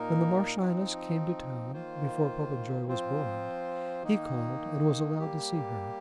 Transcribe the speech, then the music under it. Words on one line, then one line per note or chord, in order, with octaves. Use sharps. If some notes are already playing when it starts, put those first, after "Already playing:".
When the Marchioness came to town,--before Popenjoy was born,--he called, and was allowed to see her.
Already playing: A#2 A#3 D#4 A#4
F3 C4 D#4
D#3 A#3 F4 C5
F3 C4 F4 C5
D#3 A#3 D#4
G3 A#3 G4